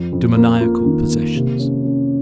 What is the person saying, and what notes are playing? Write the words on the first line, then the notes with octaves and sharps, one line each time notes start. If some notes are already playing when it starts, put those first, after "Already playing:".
Demoniacal possessions.
Already playing: F2
F2
A#3
F4
D#3
A#3
C3
C#4
C#4